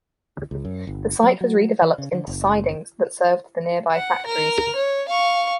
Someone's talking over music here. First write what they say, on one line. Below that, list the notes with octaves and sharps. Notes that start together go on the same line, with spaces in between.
The site was redeveloped into sidings that served the nearby factories.
C#2
F#2
G1
F#3
F#3
E3
C#3
D3
F#1
F#5
A#4 F6
C#5
F5 C#6